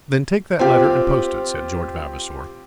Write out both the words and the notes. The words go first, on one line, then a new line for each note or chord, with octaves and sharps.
"Then take that letter and post it," said George Vavasor.
C4 F4 G4